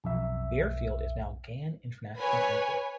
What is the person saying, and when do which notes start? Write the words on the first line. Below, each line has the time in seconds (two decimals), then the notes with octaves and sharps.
The airfield is now Gan International Airport.
0.04 B1 F2 E5
2.18 B4 C#5 G#5